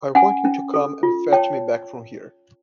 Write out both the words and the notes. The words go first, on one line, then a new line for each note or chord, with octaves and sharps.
I want you to come and fetch me back from here.
C#4 F#5 G#5
C#4
A4
F4
C#5 G5 A5